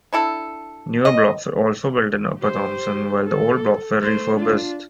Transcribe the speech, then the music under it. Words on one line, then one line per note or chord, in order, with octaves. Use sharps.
Newer blocks were also built in Upper Thomson, while the old blocks were refurbished.
D4 E4 A4
D#5
G4 C5
A4
A3 C5
D4 F4